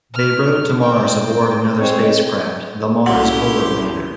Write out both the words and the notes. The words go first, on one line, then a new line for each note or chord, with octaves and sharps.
They rode to Mars aboard another spacecraft, the Mars Polar Lander.
F6
C4 G5
G#3 C4 C#5
C2 C#4 E4 F#4 G4 F#5 C6